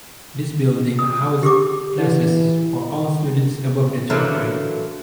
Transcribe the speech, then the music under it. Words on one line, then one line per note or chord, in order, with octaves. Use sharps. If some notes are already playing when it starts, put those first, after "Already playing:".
This building housed classes for all students above the third grade.
D#6
G4 G#4 D6
E3
D3 E3 F#3 A3 A#3